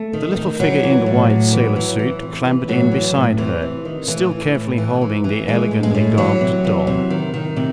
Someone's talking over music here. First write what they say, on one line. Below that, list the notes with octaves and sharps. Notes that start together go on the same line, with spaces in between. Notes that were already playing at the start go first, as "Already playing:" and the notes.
The little figure in the white sailor suit clambered in beside her, still carefully holding the elegantly garbed doll.
Already playing: A3
D#3
D#3
E3 F#3
E3
A2
A2
E3
E3
E3
C3
E3
A2 F#3
E3
A2
C3 E3
C3
D#3
A2 E3
E3
A2
E3
E3
E3
E3 G#3
A2
G#3
A2
E3 F#3
C3
E3
C3
D#3
D#3
C3